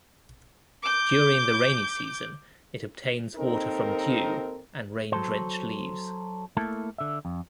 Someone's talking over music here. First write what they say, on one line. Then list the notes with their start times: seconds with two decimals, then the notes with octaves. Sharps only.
During the rainy season it obtains water from dew and rain drenched leaves.
0.83 D6 G6
3.36 D#2 C4 D#4 A4 A#4
5.12 F#3 A4 C5
6.57 A3 A#3 E4 A4
6.98 D3 E5
7.25 F2